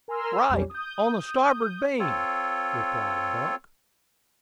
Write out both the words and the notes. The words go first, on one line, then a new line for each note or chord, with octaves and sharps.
"Right on the starboard beam," replied Buck.
A#4 G#5 A#5 C6 E6 F6
B1 F2 G3 C#4 G4
D#6 G6
C4 F4 A4 C#5